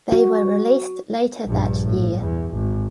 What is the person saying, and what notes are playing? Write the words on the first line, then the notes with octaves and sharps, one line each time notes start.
They were released later that year.
F#4
A#1 G2
A2
E2
G#1